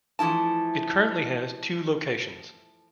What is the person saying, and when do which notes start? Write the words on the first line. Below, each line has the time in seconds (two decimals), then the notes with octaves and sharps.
It currently has two locations.
0.19 E3 F3 A3 E4 A5